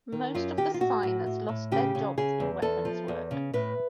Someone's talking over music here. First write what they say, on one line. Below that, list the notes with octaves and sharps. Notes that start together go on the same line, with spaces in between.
Most of the signers lost their jobs in weapons work.
D#3
F#2 F4
D#3 G4
F4
A2 F#4
A2
A2
A2
C#3 G4
C#3
C#3 G#4
E2
E2 A4
F3
E2
C#3
A2 B4